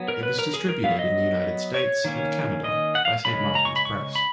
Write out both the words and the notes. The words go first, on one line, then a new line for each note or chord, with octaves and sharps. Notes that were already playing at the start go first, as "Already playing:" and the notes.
It was distributed in the United States and Canada by Saint Martin's Press.
Already playing: F#3 B3
A#4
B4
A#4
G#4
A#4
F#3 B3 F5
D#5
C#5
D#3 A#3 C#4
D#5
F#5
F5
C#3 G#3 C#4 B5
A#5
C#6
B5
C#6
B5